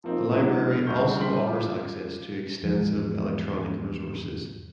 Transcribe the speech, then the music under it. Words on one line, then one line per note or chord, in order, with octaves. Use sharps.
The library also offers access to extensive electronic resources.
F3 A#3 C4 D#4 F4
E3 F#3 G#3 A3 B3 D4
F6
C2 F#5 A#5 C6 C#6 G6
G3 C5 G5 C6 B6 F#7
F4 D6
E2 G#2 F3 G#3